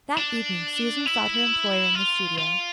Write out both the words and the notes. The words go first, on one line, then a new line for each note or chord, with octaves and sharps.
That evening Susan sought her employer in the studio.
D4
E4
F4
F4